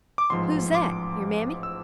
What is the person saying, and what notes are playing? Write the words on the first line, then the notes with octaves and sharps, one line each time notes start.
"Who's that--your Mammy?"
D6
A1 G#2 F3 C6
D6
E6